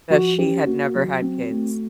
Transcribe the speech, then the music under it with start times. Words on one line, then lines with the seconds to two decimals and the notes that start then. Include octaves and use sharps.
that she had never had kids.
0.10 F3 F#4
0.38 C#4 G4
0.66 A#3 F#4
0.95 F#3
1.22 C4
1.50 A3